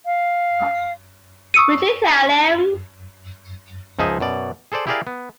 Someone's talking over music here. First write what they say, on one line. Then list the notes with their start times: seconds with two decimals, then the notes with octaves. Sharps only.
Would you tell him?
0.05 F5
1.54 C#6 D#6 E6 C#7 D#7
3.99 C#2 F3 D#4 G#4 D#5 E5
4.20 F#2 B2 D5
4.72 G#4 A4 C5 D5
4.87 E4 G4 G#4 A#4 D5 F5
5.07 B3